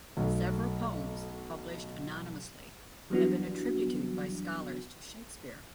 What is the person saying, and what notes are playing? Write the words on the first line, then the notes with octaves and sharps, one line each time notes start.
Several poems published anonymously have been attributed by scholars to Shakespeare.
B1 A3
E3 F#3 G3 B3 D4 F#4